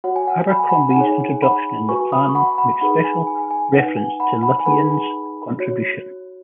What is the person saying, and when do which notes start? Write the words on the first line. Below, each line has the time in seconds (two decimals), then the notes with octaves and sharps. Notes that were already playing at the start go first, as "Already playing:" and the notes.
Abercrombie's introduction in the plan makes special reference to Lutyens' contribution.
0.04 F#4 C#5 F#5
0.16 G#5
0.28 F#5
0.50 B5
0.59 G#5
0.69 F#5 B5
0.91 F#5
0.96 D#4 G#4 C#5 G#5
1.42 F#5 B5
1.89 F#4 B4 G#5 C#6
2.12 B5 D#6
2.29 C#6
2.35 F#5 B5
2.58 F#5 B5
2.81 D#4 G#4 B4 F#5 B5
3.04 G#5
3.27 G#5
3.51 G#5
3.73 D#4 B4 F#5
3.97 G#5
4.20 F#5 B5
4.43 F#5 B5
4.60 G#5
4.65 D#4 G#4 B4 F#5 B5
5.59 F#4 C#5